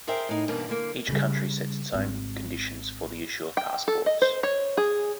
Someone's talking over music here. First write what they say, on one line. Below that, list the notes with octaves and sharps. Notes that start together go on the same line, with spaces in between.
Each country sets its own conditions for the issue of passports.
G#4 A#4 C5 E5 G5
A2 D#4
G2 B2 E3 A#3 D4
D3 A#3
C#3 G3
G#1 C4
G5
A4
D#5
C5
C#5
G#4